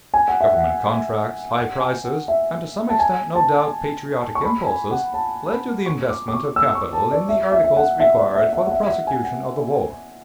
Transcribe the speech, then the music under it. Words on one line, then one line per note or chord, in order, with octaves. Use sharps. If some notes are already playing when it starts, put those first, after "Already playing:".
Government contracts, high prices, and to some extent, no doubt, patriotic impulses, led to the investment of capital in the articles required for the prosecution of the war.
G#5
F#5
E5
F#5
F#5
G#5
F#5
E5
A5
G#5
A5
C#6
B5
G#5
F#5
A5
B5
C#6
D6
D6
C#6
E6
C#6
A5
D5
E5
E5
E5
F#5
E5
D5
E5
E5
F#5
E5
E5
F#5
G#5
F#5